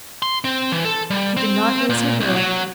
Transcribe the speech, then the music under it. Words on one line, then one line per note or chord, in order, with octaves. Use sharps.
She did not raise her veil.
C6
C4
E3
A4
G3
C4
A#2
C2
F#3